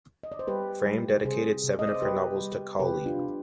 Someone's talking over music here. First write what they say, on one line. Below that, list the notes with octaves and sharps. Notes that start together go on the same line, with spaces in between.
Frame dedicated seven of her novels to Cawley.
D#5
D5
C5
G3 G4 B4
G3
C3 G#4 C5
C3
D#5
D5
C5
G3 G4 B4
G3
C3 G4 B4
D4 F4
C3